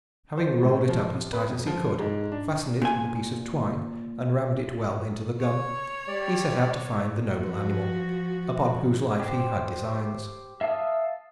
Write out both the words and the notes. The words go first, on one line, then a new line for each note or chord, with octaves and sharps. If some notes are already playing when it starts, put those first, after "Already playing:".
Having rolled it up as tight as he could, fastened it with a piece of twine, and rammed it well into the gun, he set out to find the noble animal upon whose life he had designs.
C5
A2
F3
C3
B4
F2
F3
G#2
D4
A#2 G#5
C#5
G3 D5
F3 F#4
G4 C5
E5 F5 A5 D#6 E6